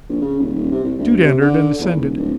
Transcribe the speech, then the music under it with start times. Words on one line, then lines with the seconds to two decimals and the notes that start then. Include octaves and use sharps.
Jude entered and ascended.
0.09 A#1
0.21 C#3
0.39 D#1
0.55 D#1
0.71 C3
0.83 C2
0.98 D2
1.21 C3
1.41 D3
1.79 E2
1.96 D#1
2.17 D1